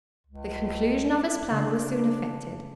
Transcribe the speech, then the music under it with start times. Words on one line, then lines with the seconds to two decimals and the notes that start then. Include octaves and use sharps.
The conclusion of his plan was soon effected.
0.26 C#2
1.50 C#3 A3 D4 C5